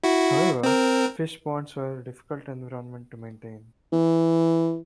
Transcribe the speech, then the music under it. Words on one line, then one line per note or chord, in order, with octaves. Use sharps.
However fish ponds were a difficult environment to maintain.
E4 F#4
C4 A#4
E3